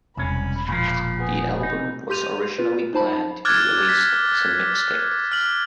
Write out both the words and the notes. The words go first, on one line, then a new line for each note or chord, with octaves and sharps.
The album was originally planned to be released as a mixtape.
E1 C2 C#4 B5
A#2 F3
B3 G#4
D#4
G4 C6 G6 D#7 F7
F4 B4
D#4 C5 A5 B5
D6 F6 F#6 G#6 A6
B6
F6 F#7